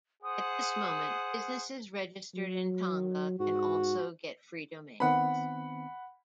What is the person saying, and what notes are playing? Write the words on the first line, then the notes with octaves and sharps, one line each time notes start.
At this moment businesses registered in Tonga can also get free domains.
G#4 C5 F#5 D#6
F#3
G#2 F#4
D#3 B3 C4 F#5 B5